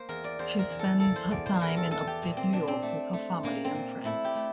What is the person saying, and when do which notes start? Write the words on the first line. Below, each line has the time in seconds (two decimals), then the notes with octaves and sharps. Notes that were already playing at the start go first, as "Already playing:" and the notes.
She spends her time in upstate New York with her family and friends.
Already playing: A#3 C5
0.09 E2 A#4
0.24 D5
0.39 E2 C5
0.59 A#4
0.70 E3
0.79 A4
1.00 A#3 A4
1.16 C5
1.31 E2 D5
1.46 C5
1.61 E2 A#4
1.77 A4
1.91 E3 A4
2.07 G4
2.22 A#2
2.37 C4
2.52 A#2 D4
2.68 C4
2.82 A3
3.13 A3
3.43 A#2 A#3
3.65 C4
3.75 A#2
4.05 A3 E4
4.25 G4
4.35 A3